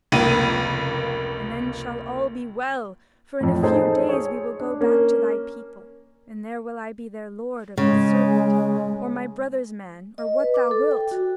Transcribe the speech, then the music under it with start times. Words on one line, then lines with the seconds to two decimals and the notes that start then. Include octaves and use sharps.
And then shall all be well, for in a few days we will go back to thy people, and there will I be their lord or thy servant, or my brother's man, or what thou wilt.
0.12 F1 C#2 A#3 D#7
3.41 F2 A2
3.63 D#4 G#4 A4 C5
4.09 G#4 C#5
4.60 D4
4.81 A#3 C#4
7.77 C#3 G#3
10.18 D#5
10.40 B4
10.54 D6
10.71 A4
10.91 G5
11.11 F#4